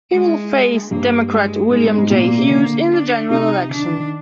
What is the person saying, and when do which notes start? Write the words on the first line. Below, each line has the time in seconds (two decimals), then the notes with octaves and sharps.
He will face Democrat William J. Hughes in the general election.
0.10 G#3
0.90 G2 A#3
1.30 G#3
1.70 G#2 G#3
1.84 G#2
1.98 G#2
2.10 A#2 A#3
2.23 A#2
2.38 C3
2.51 D3
2.90 D4
3.30 C3 D#4
3.70 D3 D4
3.83 D#3
3.96 D#3